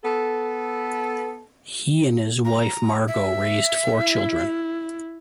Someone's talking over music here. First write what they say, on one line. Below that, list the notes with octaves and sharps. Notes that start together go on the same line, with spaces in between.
He and his wife Margo raised four children.
B3 A4
A#5
E5
E4